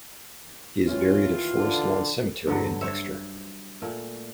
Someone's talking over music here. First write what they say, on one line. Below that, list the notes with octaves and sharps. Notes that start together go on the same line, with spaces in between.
He is buried at Forest Lawn Cemetery in Dexter.
D#2 E3 C#4 F4
D3
G2 D3 F#3
C5 C#5 E5
A#2 A3